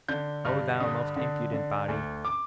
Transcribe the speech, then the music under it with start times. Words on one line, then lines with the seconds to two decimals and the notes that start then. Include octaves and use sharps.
O thou most impudent body!
0.08 D3 G6
0.45 G2 F6
0.80 D3 D#6
1.16 D3
1.53 D3
1.88 D2
2.25 D6